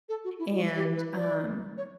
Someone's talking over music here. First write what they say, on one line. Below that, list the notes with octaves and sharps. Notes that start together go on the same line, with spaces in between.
And, um,
A4
F#4
E4
F#4
G4
B4
D5
C#5